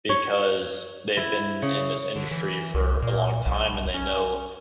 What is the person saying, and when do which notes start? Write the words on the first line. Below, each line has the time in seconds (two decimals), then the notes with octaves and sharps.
because they've been in this industry for a long time and they know
0.09 C#5
1.17 E4
1.62 C#3
2.16 D3
2.31 E3
2.74 C2
3.02 A#2
3.46 B1
3.94 C#4